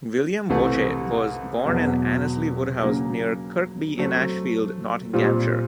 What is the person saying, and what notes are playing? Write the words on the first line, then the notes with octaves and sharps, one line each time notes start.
William Voce was born in Annesley Woodhouse, near Kirkby-in-Ashfield, Nottinghamshire.
C2 C3 E3 A3
E2 B2 F#3
C#3 F#3 A#3
F#3 A3 C4
A#2 G3 C4 F4